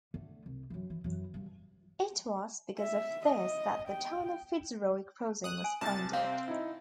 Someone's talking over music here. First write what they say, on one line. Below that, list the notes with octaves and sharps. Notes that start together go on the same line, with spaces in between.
It was because of this that the town of Fitzroy Crossing was founded.
D3 A3
C2
F#2 E3
E3
F#2 E3
G2 D3
E5
D#5
G5
D#6 F#6
G#5
C2 C3 A5 A6
C4 F5
D#4 E4